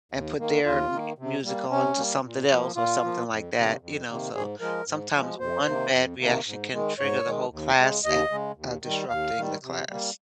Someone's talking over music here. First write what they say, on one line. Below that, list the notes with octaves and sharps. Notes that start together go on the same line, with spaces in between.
and put their m music on to something else, or something like that, you know? So, sometimes one bad reaction can trigger the whole class, a uh, disrupting the class.
D#2
D#3 A#3
D#2 F4
D#3 A#3
C3
G3 A#3
C3 C#4
G3 A#3
A#2
F3 A#3
A#2 F4
F3 A#3
F2
C3 D#3 A#3
F2
C3 D#3 A#3
G#2 G#4
F3 G#3 A#4
G#2
F3 G#3
F2 C5
C3 D#3 A#3
F2
C3 D#3 A#3
G#2
D#3 G#3
G#2 C#5
D#3 G#3
D#2
C#3 G#3
D#2 D#5
C#3 G#3
D#2
D#3 G3
D#2 F5
D#3 G3
C3
G3 A#3